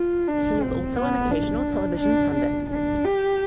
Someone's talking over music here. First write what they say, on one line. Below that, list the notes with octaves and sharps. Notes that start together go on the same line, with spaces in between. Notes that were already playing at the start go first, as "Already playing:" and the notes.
He is also an occasional television pundit.
Already playing: F4
D4
C4
B3
D4
D4
D4
D4
G4